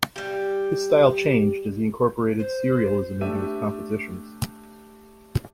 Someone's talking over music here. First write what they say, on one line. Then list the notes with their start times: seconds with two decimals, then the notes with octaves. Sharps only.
His style changed as he incorporated serialism into his compositions.
0.16 G3 G4
2.39 C5
3.21 A3 D4 G4 E5 D#7